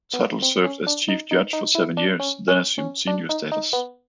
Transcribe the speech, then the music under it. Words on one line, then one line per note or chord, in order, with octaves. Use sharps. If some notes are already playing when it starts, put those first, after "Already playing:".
Tuttle served as chief judge for seven years, then assumed senior status.
B3
C4
C#4
D4
D#4
D#4
D#4
E4
D4
C#4
C#4
C#4
D4
D#4
D#4
B3